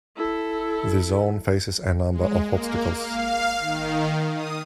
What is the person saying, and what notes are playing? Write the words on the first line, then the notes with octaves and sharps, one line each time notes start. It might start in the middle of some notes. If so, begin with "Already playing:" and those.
The zone faces a number of obstacles.
E4 A4
G#3
A#3
F5
D#3
D#6